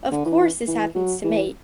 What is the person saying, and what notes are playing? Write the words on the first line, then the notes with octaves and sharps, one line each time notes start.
"Of course, this happens to me."
D3
E3
E3
E3
F#3
E3